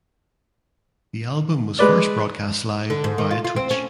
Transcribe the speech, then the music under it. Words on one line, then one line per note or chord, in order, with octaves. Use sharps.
The album was first broadcast live via Twitch.
G#3 B4 D5
D3
G#2
D#3
F4
F4
C4
C#4